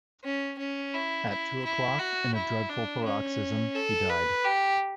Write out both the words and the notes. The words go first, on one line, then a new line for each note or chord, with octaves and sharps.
At two o’clock, in a dreadful paroxysm, he died.
C#4
C#4
E4
E4
E4
F#4
E4
D4
C#4
A4
B4
G4